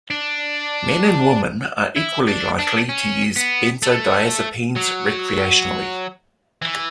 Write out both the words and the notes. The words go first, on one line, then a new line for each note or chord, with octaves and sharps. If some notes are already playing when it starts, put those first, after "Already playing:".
Men and women are equally likely to use benzodiazepines recreationally.
D4
E4
D4
D4
C#4
B3
A3
F#3
E3